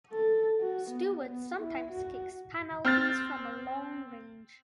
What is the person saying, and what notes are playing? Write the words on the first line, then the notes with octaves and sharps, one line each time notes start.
Steward sometimes kicks penalties from long range.
A4
F#4
B3
B3
E4
F#4
C4 F6 A6